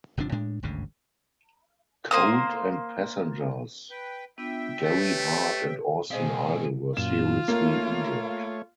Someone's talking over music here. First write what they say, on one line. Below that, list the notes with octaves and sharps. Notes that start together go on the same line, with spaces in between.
Colt and passengers Gary Hart and Austin Idol were seriously injured.
G1 C3 F3 D4
A2 G#3 D4
G#1 D2 G2 C#3
A#3 C5 D#6
B4 G5
B3 D4 F4 E5 G5
A3 G4 B4 C#5
B2 G#3 C4 G#4 C5 D#5 F5 G#5
F#2 A#2 F4 E7
A3 A#3 C#5